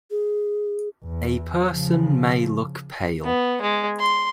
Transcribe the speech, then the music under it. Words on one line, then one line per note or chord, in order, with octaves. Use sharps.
A person may look pale.
G#4
E2
C#3 F3
B3
G#3
C6